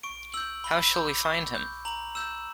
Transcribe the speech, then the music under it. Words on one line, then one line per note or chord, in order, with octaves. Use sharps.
How shall we find him?
C#6 D7
E6 G6 F#7
B5 G7
D6 G6
C#6
G6
A#5 F#7
E6 G6 E7